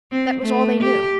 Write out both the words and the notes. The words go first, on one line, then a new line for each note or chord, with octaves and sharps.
That was all they knew.
C4
A3
G4